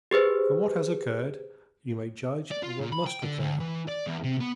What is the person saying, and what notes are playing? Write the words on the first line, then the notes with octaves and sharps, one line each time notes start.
From what has occurred, you may judge of what must occur.
G4 G#4 B4 C5
D5
F4
A#2
B5
G5
D3
D2
E3
D5
E2
C3
B3